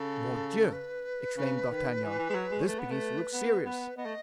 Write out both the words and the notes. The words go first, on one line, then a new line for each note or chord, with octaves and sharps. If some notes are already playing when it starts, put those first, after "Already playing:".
"Mordioux!" exclaimed D'Artagnan, "this begins to look serious."
Already playing: C#3 A4
B4
C#3
D#3
E3
E3
G#3
F#3
G#3
C#5
A3 B4
B3
A3
B3
B3
B3 D#5
A3